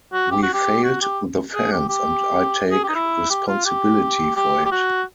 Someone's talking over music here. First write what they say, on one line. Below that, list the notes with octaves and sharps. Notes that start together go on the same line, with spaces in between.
We failed the fans and I take responsibility for it.
F#4
G4
F#4
G4
F#4
G4
G#4
G4
G4
G#4
G4
D#4
E4
G4
F4
G4
G4
G4
F#4